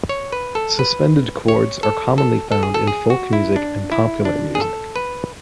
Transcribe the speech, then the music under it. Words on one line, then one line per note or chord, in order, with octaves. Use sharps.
Suspended chords are commonly found in folk music and popular music.
C#5
B4
A4
B4
C#5
A4
A4
A4
G#4
A4
G#4
F#4
E4
D4
E4
D4
G#4
A4
B4